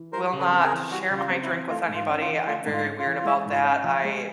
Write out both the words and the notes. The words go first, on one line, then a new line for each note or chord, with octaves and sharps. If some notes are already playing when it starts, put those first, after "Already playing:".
will not share my drink with anybody, I'm very weird about that, I
Already playing: E3
G3 A#4 C5
C#3
A4 B4
C4
G#4 A#4
E3
G3 F#4
C#3
F4
C4
E4
E3
A3 F4
G#2
F4
C#4
F4
E3
A3 F4
G#2
F4
C#4
F4
E3
F4
G#3 E4
G#2
F4
C#4
F3
G#3